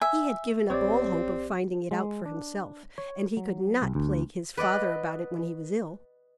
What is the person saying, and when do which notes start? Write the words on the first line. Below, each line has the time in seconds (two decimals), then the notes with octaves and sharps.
He had given up all hope of finding it out for himself, and he could not plague his father about it when he was ill.
0.02 E5 G#5
0.70 A#1 C4 G4 C#5 D5
1.91 G#3
2.25 D4
2.98 C#5
3.37 F#3
3.82 C2
3.95 D2
4.57 B4 D5 D#5 F#5